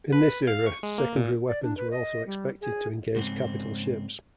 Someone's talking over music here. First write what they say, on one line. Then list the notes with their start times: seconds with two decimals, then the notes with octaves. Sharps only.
In this era, secondary weapons were also expected to engage capital ships.
0.13 B4
0.47 F5
0.66 C#6
0.83 G#3
0.98 A#3
1.16 A#2
1.48 D5
1.63 D4
1.77 B4
1.91 D#5
2.26 G3
2.61 G#4
3.16 C#2 G#2 C4